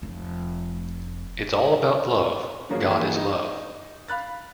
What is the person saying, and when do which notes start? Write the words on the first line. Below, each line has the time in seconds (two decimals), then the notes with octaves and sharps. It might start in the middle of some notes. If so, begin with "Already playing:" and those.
It's all about love - God is love.
0.02 F1 A3
2.69 D3 F3 F#3 A#3 C#4 G#4
2.89 E3 G#3 A#3 E4
3.16 D#4
4.08 F5 B5 F#6 A6